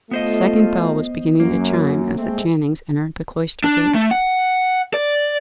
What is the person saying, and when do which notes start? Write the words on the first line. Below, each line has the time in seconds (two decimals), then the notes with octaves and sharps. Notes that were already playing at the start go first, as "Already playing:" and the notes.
The second bell was beginning to chime as the Channings entered the cloister gates.
0.11 A3 B3 F4 C5 D#5
1.40 F#2 F#3 A#3
2.17 G#3 A3 C4
3.64 D4
3.95 A3
4.11 F#5
4.94 D5